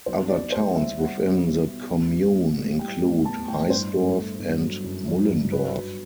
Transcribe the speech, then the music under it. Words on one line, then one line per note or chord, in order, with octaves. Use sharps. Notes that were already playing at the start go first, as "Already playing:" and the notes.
Other towns within the commune include Heisdorf and Mullendorf.
B1 C5
B1 D5
G3 C5
G3 E5
G3 F#5
B2
G3
B3
A2
G3
A1
G3
G3 G5
A1
B3 A5
A2 G5
G1 C5
A3
A3
G1
F#3
F#2
F#3
G1
F#3 B4
F#3